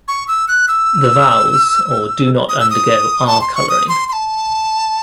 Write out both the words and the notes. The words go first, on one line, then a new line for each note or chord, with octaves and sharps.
The vowels or do not undergo R-coloring.
C#6
E6
F#6
E6
D#6
E6
D#6
A5
C6
C#6
D#6
C6
C6
A5